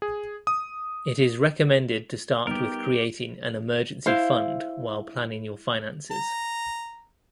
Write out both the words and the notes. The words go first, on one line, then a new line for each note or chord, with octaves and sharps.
It is recommended to start with creating an emergency fund while planning your finances.
G#4
D#6
G3 B3 D#4 G4 A#4
E4 C5 F5
A#5